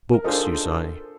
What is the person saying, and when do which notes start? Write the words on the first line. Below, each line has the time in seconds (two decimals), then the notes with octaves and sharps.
"Books," you say.
0.13 A#4
0.24 D4 F4 G#4 A4 C5 D#5